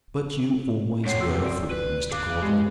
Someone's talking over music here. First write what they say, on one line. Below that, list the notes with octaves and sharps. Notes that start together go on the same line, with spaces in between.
But you always were a fool, Mr. Caudle!
F#2 C3 C#5 F#5 C7
F#4 C6 E6
D5 D7
B4
G#4 F5 D6 F#6
G#3 G4 B5